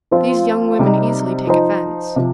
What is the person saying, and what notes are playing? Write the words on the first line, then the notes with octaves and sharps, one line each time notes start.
These young women easily take offense.
F3 C4 F4
C3 G3 D#4
F3 D#4 C5
C3 F3